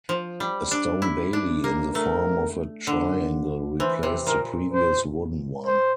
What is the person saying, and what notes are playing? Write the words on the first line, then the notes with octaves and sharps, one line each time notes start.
A stone bailey, in the form of a triangle, replaced the previous wooden one.
F3
G3
D4
E4
D4
A#3
A3 A#4
D3
E3 C5
C3
A#2 A#4
C5
C5